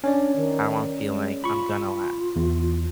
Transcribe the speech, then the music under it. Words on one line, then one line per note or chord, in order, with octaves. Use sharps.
how I'm feeling; I'm gonna laugh.
C#4 D4 C#5 D5
D#3
G#3
F4 B5 C#6
E2